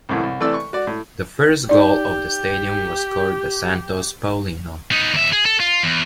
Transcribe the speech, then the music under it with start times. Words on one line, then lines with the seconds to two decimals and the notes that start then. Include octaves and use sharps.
The first goal of the stadium was scored by Santos' Paulinho.
0.09 C2 F#2 A2 E3
0.23 C2
0.40 C3 E3 A3 A4 D5 E6
0.54 C#6
0.73 F#4 D5
0.87 A2
1.69 D#4 G4 D5
4.92 B3 D#4
5.14 D#2 E5
5.33 G#4
5.46 A4
5.60 F4
5.83 E2